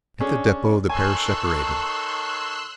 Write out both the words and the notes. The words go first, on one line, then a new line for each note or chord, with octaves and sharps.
At the depot the pair separated.
C#4 D4 G#4
D#3 A4 C#5 G#5 C6 E6 F#6